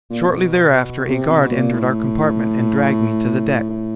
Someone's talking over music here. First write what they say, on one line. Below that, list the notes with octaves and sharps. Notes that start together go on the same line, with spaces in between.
Shortly thereafter a guard entered our compartment and dragged me to the deck.
A#2
B2
C3
B2
B2
A#2
A2
A2